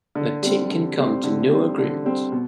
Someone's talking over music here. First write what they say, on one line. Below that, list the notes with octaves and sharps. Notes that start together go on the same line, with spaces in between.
The team can come to no agreement.
D3
G3 C4
D3
G3 C4
D3
G3 C4
D3
G3 C4
B2